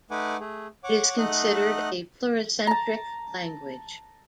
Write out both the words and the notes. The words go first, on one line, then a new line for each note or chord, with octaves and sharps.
It is considered a pluricentric language.
A3 D#4 B4 F#5 G#5 D6
A3 G#4
C#5 F#5 D6
A3 D#4 D#5 F#5 F#6
A5 A#5